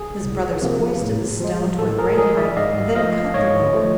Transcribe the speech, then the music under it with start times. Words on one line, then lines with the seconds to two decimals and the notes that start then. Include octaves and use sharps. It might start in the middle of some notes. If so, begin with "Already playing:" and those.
His brothers hoisted the stone to a great height, and then cut the rope.
Already playing: G#4
0.23 C2
0.62 C3 F3 A#3
1.01 A2
1.40 F3 G#3
1.79 A2 A4
1.98 G#4 A#4
2.18 F3 G#3 G#4 A#4
2.37 D5 E5
2.57 G#2 D#5 F5
2.95 F3 A3 D#5 F5
3.34 G#2 C#5 D#5
3.73 F3 A3